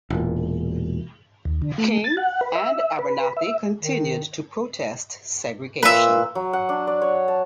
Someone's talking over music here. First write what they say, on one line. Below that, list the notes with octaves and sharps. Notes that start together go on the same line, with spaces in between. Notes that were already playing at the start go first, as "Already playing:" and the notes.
King and Abernathy continued to protest segregation.
E1 A#2
D#2
D3
A3
A6
F#5
B4
E5
B4
E5
D#3
A#2 B4 E5
F#3
F#5
D4
D5
C#5
A5